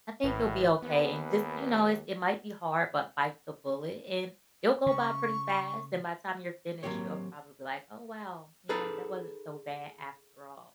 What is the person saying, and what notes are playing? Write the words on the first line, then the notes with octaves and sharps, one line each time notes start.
I think you'll be okay and just, you know, it's it might be hard, but bite the bullet, and it'll go by pretty fast and by time you're finished, you'll probably be like, "Oh, wow," you know, "That wasn't so bad after all."
G#1 A2 B4
D#2 B3
C#3 C#6
F#3 A#3 C4 G4 C#5
D#4 G#4 A4 B4